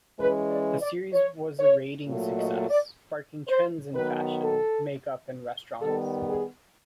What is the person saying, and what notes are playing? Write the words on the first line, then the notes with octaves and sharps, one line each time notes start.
The series was a ratings success, sparking trends in fashion, make-up and restaurants.
E3 G#3 C#4 B4
D5
D5
C#5
C#5
A#2 F#3 A3
D#5
D5
C5
D#3 F#3 B3 B4
A4
D#3 G3 B3 A4
G#4